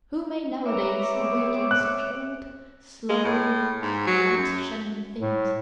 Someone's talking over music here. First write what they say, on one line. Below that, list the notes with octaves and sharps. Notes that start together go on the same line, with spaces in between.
Who may nowadays awaken such old slumbering, light-shunning things!
B4 C#5 E5 A#5 D6
B3 C4 G#4
F#6
G#3
A2
G#2
F#3
F#2
A2